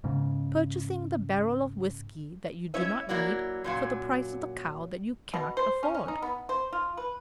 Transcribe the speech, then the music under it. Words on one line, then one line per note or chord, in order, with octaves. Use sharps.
Purchasing the barrel of whiskey that you do not need for the price of the cow that you cannot afford.
G#2 C#3
C#4 E4 C#5 D#5 E5
F#3 A#3 E4 F#4 D5
F#2 A#2 F#3
B2
C5
C#4
C#4
D#4
B3
C5
F4
B4